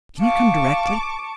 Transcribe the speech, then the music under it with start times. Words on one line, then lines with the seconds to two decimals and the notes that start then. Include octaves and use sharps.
Can you come directly?'
0.21 F5 A5 C#6 D6